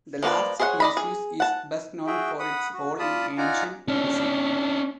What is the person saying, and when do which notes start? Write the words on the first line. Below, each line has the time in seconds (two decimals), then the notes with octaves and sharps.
The last species is best known for its role in ancient medicine.
0.23 F3 A#3 F#4 B4 D5
0.60 G#4 C5 C#5 E5 F#5
0.80 D5 D#5 B5
0.97 G#4
1.40 F#5 A5
2.07 F#4 G#4 E5 G5
2.39 F#5 B5 D#6
2.73 F#4
2.99 F4 D5 A5 B5 D#6
3.38 D#4 F4 D5 F#5 G#5 A#5
3.88 C#4 D4